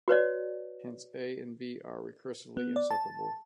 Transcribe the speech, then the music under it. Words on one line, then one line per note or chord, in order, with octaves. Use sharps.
Hence "A" and "B" are recursively inseparable.
F#4 B4 C#5 D5
B3
D5
A5